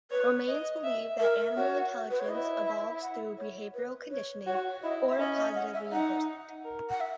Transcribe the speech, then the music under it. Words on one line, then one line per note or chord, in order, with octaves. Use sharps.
Romanes believed that animal intelligence evolves through behavioural conditioning, or positive reinforcement.
B4 C#5
D#5
E5
A#4 E5
F#4 C#5
B4
C#5
E4 D#5
E5
F#5
C#5
B4
C#5
F#4 C#5
E4 D#5
E5
C#4 D#5
D#5
F#5
E5
D#4 F#5
A#4
F#5
E5